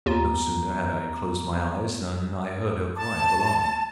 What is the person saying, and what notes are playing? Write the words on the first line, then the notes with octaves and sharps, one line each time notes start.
No sooner had I closed my eyes than I heard her cry of alarm.
D#2 B3 F4 A#5
A5